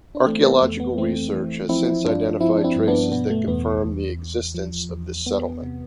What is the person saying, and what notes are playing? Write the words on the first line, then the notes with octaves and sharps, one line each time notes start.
Archaeological research has since identified traces that confirm the existence of this settlement.
D4
E3 A3 C4
B3
F2 A3
B3
E3 A3 C4
E3
F3 C4 E4
G2 D4 F4
F3 C4 E4
D4
C4 E4
G2
B3 D4
B2 B3
A3
E2 B3
E2
E2
F3
E2
E2 B3
C3